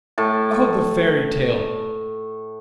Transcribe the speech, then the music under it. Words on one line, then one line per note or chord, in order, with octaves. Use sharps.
"Oh, the fairy tale!"
A2 A5